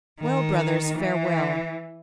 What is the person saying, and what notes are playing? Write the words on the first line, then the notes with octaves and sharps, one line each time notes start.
'Well, brothers, farewell!
D#3
E3